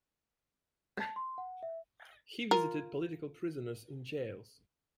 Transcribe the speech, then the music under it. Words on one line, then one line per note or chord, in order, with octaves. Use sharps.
He visited political prisoners in jails.
A5
C6
F#5
E5
F4 A#4